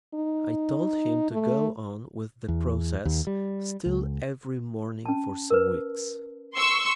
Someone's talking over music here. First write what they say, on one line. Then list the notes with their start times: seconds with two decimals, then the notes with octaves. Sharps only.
I told him to go on with the process still every morning for some weeks.
0.14 D#4
1.31 A3
2.48 E2
3.05 D#2
3.27 G3
3.86 C#2
5.06 C#4 A5
5.50 A#4 B4
6.54 C6 C#6 E6